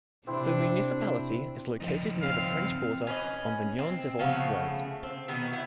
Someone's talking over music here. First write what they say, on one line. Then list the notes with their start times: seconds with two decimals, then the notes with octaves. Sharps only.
The municipality is located near the French border on the Nyon-Divonne road.
0.27 C3 C4 D4 E4 C5
1.80 F3 D#4
2.22 C4 F5
3.07 C#4 B4 C#5 D#5
3.79 C4
4.19 C#3 F3 A3 B3
5.03 C4
5.28 B2 D#3 B3
5.51 B3 E4